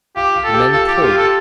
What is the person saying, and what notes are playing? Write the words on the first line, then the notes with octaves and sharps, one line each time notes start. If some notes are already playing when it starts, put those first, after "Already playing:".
The men pulled.
F4 G4
F4
A4
G4
F4 A4
G4
F4 G4
A4